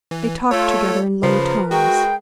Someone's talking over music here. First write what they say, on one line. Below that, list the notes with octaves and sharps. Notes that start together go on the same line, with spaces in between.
They talked together in low tones.
E3
A3 F4 A4 C#5
C#3 F3 A#4 B4
G#3 F#4 G5